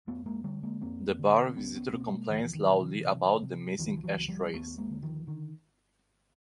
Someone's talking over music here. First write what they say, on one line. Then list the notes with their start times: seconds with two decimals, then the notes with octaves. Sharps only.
The bar visitor complains loudly about the missing ashtrays.
0.07 F2 A3 B3
0.26 G#3 A#3
0.44 D3 G3 A3
0.63 G#3 A#3
0.81 F2 A#3 C4
1.19 D3
1.49 C4
1.56 C#2 B3 C#4
1.75 B3 C#4
1.93 B2 A#3 C4
2.07 B3
2.12 G#3 A#3
2.30 C#2 D#3 F3
2.44 E3
2.55 D#3
2.66 B2 F#3
2.73 F3
2.80 D3 E3
3.05 C3
3.42 C3
3.79 C#2 D#3 F3
3.90 E3
3.97 F3
4.03 E3 F#3
4.16 C#2
4.28 F3 G3
4.53 D#2 A3 B3
4.78 G#3 A#3
4.90 D3
5.03 D#3 F3
5.27 D3 D#3